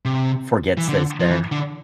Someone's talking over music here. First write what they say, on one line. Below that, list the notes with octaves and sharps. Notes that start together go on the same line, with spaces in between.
Forgets that it's there.
C3
E3
D3
F3
E3
D3